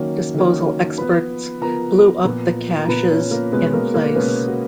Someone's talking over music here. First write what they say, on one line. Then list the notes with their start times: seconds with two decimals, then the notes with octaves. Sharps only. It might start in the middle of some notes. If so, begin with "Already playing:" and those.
Disposal experts blew up the caches in place.
Already playing: D#3 F#3 A#3 C#4 C#5
0.34 D#3 F#3 A#3 C#4
0.98 F3 B3 B4 B5
1.61 F3 B3 A#4 A#5
2.25 A#2 F3 B3
2.84 A#5
2.88 A#2 F3 B3 B4 B5
3.10 C#4 C#5
3.31 A#3 A#4
3.52 B2 G#3 B3 C#4 B4
3.73 A#3 A#4
3.94 A#3 A#4
4.15 B2 G#3 B3 C#4 B4
4.47 F#4